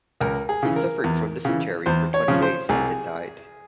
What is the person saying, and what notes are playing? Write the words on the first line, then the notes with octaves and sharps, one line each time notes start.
He suffered from dysentery for twenty days and then died.
C#2 A#4
G#4
C#3 E3
A#4
E2
C#3 E3
E2 C5
C#5
C#3 F3
C5
C2 G#4